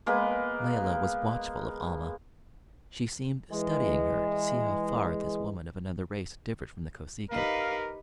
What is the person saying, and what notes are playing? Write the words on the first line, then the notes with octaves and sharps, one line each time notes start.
Layelah was watchful of Almah; she seemed studying her to see how far this woman of another race differed from the Kosekin.
G#3 A#3 B3 B4
E3 G#3
D#4 G4 A#4 B4 F5